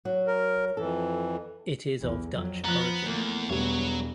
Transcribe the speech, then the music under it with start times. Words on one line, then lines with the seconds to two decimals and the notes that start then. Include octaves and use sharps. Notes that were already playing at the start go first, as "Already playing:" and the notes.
It is of Dutch origin.
0.05 F#3 F#4
0.27 A#4
0.77 F2 E3 A4
1.98 B1 E2
2.34 F2 F#3
2.64 F3 B3 A#5 F#6
3.05 E2 A3 A#3
3.49 E1 F#3 G3 B3 C#5